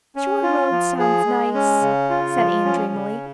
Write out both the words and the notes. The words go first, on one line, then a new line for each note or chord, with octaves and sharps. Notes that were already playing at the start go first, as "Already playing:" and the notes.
"Shore road sounds nice," said Anne dreamily.
C#4
F4
F3
G#4
G#3
C#4
C#3
F4
F3
C#4
C#3